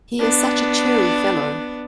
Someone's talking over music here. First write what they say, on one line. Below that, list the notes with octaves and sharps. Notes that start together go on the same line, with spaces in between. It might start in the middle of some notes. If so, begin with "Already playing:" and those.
He is such a cheery fellow.
B3 D4